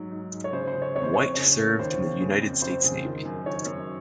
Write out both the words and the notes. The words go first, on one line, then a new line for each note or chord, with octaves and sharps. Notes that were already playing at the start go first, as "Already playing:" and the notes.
White served in the United States Navy.
Already playing: G#2 F#3
G#2
G#2
C#5
C#3 C5
C5
C#3
C#5
F2 C#5
C5
F2 C#5
C#3
A#3
D#2 C5
D#2
C#3
F2
F2 C5
C#3
D#3
F#2
D#3 C#5
F#2